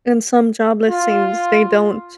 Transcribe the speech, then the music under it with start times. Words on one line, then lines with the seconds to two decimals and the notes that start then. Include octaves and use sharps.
And some job listings, they don't
0.90 F4